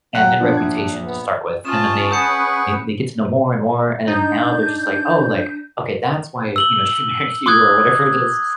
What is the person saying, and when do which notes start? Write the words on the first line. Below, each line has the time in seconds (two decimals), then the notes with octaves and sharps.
and and reputation to start with, and then they they get to know more and more, and then now they're just like, "Oh, like, okay, that's why, you know, she married you," or whatever it is,
0.15 D#2 F#3 F#5 G5
0.40 F3 B3 D4
0.57 A#1 G#6
1.04 B3
1.65 C#4 F4 A5 C#6 D#6 E7
2.11 G#4 B4 F#5 C#6 D#6 G6 C#7
4.08 D4 D#4 G6
6.56 E6 F#7 G7
7.46 C6 D6 D#6 F#6 G#6